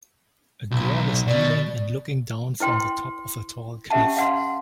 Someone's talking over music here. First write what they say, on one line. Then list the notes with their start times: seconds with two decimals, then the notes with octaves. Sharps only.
A girl is kneeling and looking down from the top of a tall cliff.
0.71 B1
1.28 B2 D5
2.60 E4 B4 G5 C6
3.90 C#4 G4 E5 F#5 A5
4.17 F5 F#5 C6